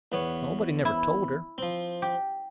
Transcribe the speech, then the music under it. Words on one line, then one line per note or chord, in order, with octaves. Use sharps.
"Nobody never told her."
E2 B3 C#5
E4
F3 C4
G4